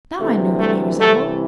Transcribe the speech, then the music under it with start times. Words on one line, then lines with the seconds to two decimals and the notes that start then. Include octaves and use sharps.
Now I knew whom he resembled.
0.19 D2 C3 E3 A3
0.59 A3
1.00 C2 C3 E3 A3